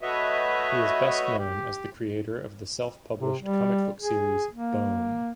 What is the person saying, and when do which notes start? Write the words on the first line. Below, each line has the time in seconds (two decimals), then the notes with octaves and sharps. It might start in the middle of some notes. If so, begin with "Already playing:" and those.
He is best known as the creator of the self-published comic book series "Bone".
0.01 A3 F#4 B4 C#5 D#5 E5
1.38 G4
3.20 C3
3.41 G3
4.00 G#4
4.52 A#3